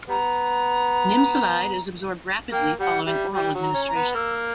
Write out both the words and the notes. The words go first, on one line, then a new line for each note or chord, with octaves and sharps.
Nimesulide is absorbed rapidly following oral administration.
G3 B3 A#5
A#3 G5
G3 F#5
G3 E5
G3 G5
F#3
A#5
C#4
A#5
B3
A#3 E6